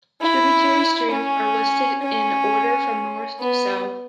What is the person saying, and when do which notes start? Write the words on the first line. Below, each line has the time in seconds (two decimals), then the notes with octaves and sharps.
Tributary streams are listed in order from north to south.
0.21 E4
1.11 C#4
2.03 C#4
3.40 B3